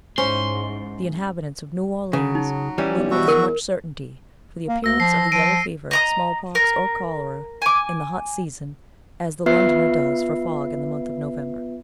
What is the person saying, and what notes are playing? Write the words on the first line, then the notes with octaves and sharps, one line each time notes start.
The inhabitants of New Orleans look with as much certainty for the appearance of the yellow-fever, small-pox, or cholera, in the hot season, as the Londoner does for fog in the month of November.
G#2 C#4 E4 C5 C6
C#3 F#3
D#4
E3 G3 C#4
B1
B2 F#4 E5
E2 A#4
A#3
D2 E6 A#6
F3 C7
F3 D7 D#7
D#5 A#5 D#6
A#4
G#5 D6
B3 F4 B4 E5 C7